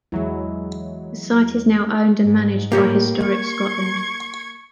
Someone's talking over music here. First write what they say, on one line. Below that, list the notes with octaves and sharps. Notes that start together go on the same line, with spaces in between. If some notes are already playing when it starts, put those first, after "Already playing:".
The site is now owned and managed by Historic Scotland.
E2 E3 F#3 G#3 E4
G#2
A2 A#3 G4 C#5
C#6 G#6